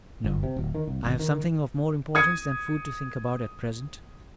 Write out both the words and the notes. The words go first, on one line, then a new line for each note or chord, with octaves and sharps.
"No, I have something of more importance than food to think about at present."
G1
C3
D1
D#3
C2
G#1
D#3
D#6 G#6 C#7